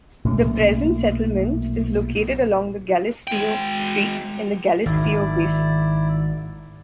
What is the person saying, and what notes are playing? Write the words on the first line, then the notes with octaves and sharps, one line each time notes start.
The present settlement is located along the Galisteo Creek in the Galisteo Basin.
B1 A#2 A3 C#4
G#3 G5
G#1 D#3 E4 D5